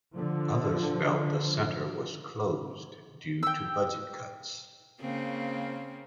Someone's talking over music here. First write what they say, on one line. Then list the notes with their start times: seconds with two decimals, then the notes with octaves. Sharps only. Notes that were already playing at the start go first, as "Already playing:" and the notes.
Others felt the center was closed due to budget cuts.
0.15 D3 F3
3.43 G5 E6
5.01 C#3 A#3 C4